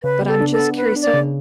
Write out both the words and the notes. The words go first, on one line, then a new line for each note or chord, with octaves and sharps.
but I'm just curious. So,
C#3 B4
B3
A4
D4
A4
B3
B3 B4
D4
D5
C#3